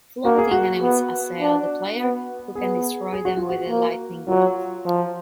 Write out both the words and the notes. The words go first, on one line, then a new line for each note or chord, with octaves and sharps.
Floating enemies assail the player, who can destroy them with a lightning bolt.
A#3 F#4
G#4
F#4
B3
D4
B3
B3 G#4
G#4
F#4
F4
F#4
A#3
F#3 F4
F3